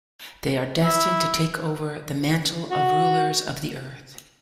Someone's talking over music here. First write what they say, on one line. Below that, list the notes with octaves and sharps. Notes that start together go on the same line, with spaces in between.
They are destined to take over the mantle of rulers of the Earth.
E4
F#4